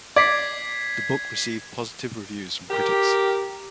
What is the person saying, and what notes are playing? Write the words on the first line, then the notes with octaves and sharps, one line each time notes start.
The book received positive reviews from critics.
D5 G#6 B6 C7
G4 A#4